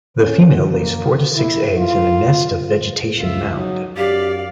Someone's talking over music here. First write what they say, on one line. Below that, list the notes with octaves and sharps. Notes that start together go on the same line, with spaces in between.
The female lays four to six eggs in a nest of vegetation mound.
C#4
A#3
E4
F4
C#2 F4 E5
F#3 D#4
F#2 G4 D5 F5